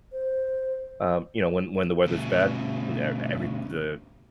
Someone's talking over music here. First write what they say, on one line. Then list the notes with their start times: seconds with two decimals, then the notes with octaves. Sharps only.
um, you know, when when the weather's bad, e every the,
0.12 C5
2.06 D2 B2